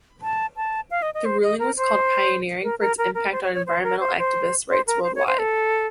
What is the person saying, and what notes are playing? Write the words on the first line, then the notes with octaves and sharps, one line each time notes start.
The ruling was called pioneering for its impact on environmental activists rights worldwide.
A5
A5
F5
D#5
D#5
C5
D#5
A#4
C5
A#4
A#4
A#4
A#4
C5
C#5
C#5
C5
A#4
C5
C5
C5
A#4
C5
C#5
C5
A4